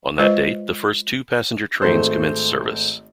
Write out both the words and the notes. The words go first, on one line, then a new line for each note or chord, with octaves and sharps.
On that date, the first two-passenger trains commenced service.
G#3 F4 B4 C5 D#5
G#1 A3 C5